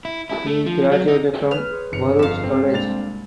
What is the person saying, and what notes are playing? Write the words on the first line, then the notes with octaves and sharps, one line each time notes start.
He graduated from Baruch College.
E4
E4
A3
F3
F#3
D#4
B4 F6
G#4 C5 C#5
G1 C#7 F7
F2 A4 F5 B6
G#2 C4
C2 A#3 D4 A6 F7